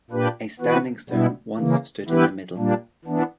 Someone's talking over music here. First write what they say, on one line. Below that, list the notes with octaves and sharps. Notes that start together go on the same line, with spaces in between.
A standing stone once stood in the middle.
A#2 A#3 D4 G4 B4
E3 B3 F#4 B4
B2 G3 B3 E4
C#3 E3 A#3
E3 B3 E4 G4 B4
A#2 G3 A#3 D4
E3 B3 D4